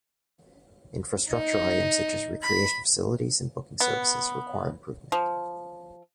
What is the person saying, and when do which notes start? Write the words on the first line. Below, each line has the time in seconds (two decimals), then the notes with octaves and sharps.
Infrastructure items such as recreation facilities and booking services require improvement.
1.31 D#4
2.43 B5
3.80 B3
5.12 F3